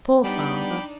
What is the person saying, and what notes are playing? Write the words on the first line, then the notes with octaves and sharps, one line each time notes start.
Poor father!
G3 B3 D4 D#4 G5 B5 D6